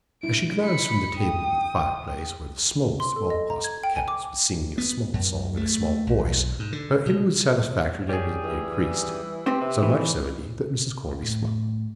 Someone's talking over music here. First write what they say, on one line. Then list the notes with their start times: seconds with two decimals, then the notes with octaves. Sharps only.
As she glanced from the table to the fireplace, where the smallest of all possible kettles was singing a small song in a small voice, her inward satisfaction evidently increased,--so much so, indeed, that Mrs. Corney smiled.
0.23 G3 D4 E4 D7
0.61 B5 C#7
1.17 G5 D#6
3.00 C6
3.16 A4
3.30 D#5
3.50 A#5
3.64 G#6
3.84 G5
3.96 G#5
4.08 D6
4.78 B3
5.14 F#2
5.57 A3
6.07 B1
6.59 G#2
6.72 D3
7.06 B2
8.09 G3 C#4 G#4
8.44 E3
9.46 C4 G4 B4 C5
9.61 C3
9.83 E3
11.22 A2